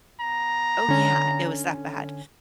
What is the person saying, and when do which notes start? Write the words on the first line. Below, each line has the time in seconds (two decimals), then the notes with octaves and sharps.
Oh, yeah. It was that bad.
0.19 B3 A#5
0.89 D3 C#4